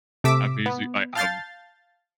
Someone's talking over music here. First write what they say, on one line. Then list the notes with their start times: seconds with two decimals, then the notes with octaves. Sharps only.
I musi I I've
0.24 C3 A3 D6 E6 B6 D7
0.66 B3
1.15 F5 A5 F6 G6 A6 C7